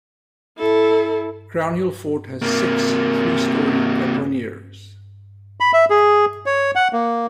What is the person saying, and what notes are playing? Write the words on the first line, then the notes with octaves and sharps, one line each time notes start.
Crownhill Fort has six three-storey caponiers.
E4 A4
C3 A#3
B5
E5
G#4
C#5
F#5
A#3